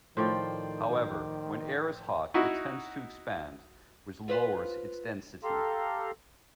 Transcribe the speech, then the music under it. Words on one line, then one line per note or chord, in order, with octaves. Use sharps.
However, when air is hot, it tends to expand, which lowers its density.
A2 D#3 F3 C5 D5 G5
D#4 E4 F#4
F4 B4 C5
G4 A4 F5 A#5 C6